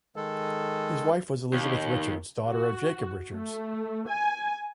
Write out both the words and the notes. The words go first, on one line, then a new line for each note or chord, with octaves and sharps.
His wife was Elizabeth Richards, daughter of Jacob Richards.
D#3 G#3 A4
D#2
F#4
A3
G#5